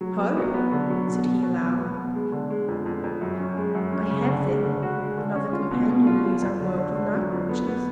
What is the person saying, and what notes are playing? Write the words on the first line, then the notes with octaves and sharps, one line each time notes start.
'Ho!' said he, aloud, 'I have then, another companion in these unworldly night--watches.
F#3
B3
F#3
B3
D3
F#3
B2
B2
B2
B2
B3
B2
G#3
D3
G#3
F2
F2
F2
F#2
C#4
G#3
F#2
C#4
C#3
D3
G#3
D3
F#4
G#3
D3
C#4
F4
B2
B2
F4
F4
F2
D3
D3
D3
F#3
F2
B3
B3